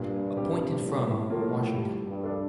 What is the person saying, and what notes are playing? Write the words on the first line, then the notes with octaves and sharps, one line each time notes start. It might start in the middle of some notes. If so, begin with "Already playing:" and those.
Appointed from: Washington.
Already playing: G2 A#2
G3 C4 G4
A2 G3
A2 A#3 F4 A4
G3
G2
D4 A4